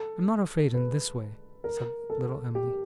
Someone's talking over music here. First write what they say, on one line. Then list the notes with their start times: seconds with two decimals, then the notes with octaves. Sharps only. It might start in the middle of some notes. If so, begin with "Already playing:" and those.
'I'm not afraid in this way,' said little Em'ly.
Already playing: A4
0.74 B4
1.64 A#4
2.10 A4
2.55 G4